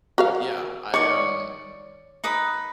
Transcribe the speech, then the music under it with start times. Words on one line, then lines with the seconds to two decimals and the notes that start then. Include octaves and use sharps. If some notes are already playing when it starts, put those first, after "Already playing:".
But, yeah, I, um,
0.18 F#4 A#4 F5
0.94 D#3 C#5 D5 C#6
2.24 D#4 B4 D#6